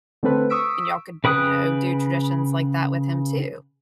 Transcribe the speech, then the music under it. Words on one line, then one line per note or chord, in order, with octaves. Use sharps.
and y'all could, you know, do traditions like that with him too.
D3 A3 C4 A4 B4
C#6 D#6 E6 B6 D7
C#3 B4 G5 D#6 F#6